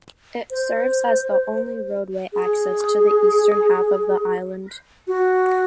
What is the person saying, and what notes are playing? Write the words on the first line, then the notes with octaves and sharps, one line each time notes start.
It serves as the only roadway access to the eastern half of the island.
C5
G#4
F#4